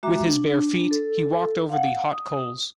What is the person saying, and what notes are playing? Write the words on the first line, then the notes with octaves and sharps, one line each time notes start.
With his bear feet, he walked over the hot coals.
G#3 F#4 E5 A#5 D6
D4
A4
F5 F#5
D#6